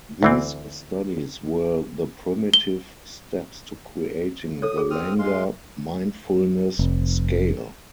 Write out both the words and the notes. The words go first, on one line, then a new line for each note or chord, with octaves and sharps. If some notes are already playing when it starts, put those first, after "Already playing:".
These studies were the primitive steps to creating the Langer Mindfulness Scale.
D2 E3 C4
G7
A4 C#5 D#6
G#4
C4 D#6 F6
G#3 F5 C6
F1